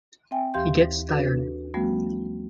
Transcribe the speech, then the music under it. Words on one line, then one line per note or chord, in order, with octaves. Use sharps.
He gets tired.
C4 E5 G5 G#5
D#2 E3 G4 F5 C6 G6
D4 F#4 A4 B4
F3 G3 A3 B3 C#4 F#4